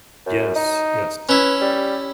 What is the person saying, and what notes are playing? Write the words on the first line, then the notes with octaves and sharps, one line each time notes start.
Yes, yes.
F#2
D#4
C#4 E4 B4
G3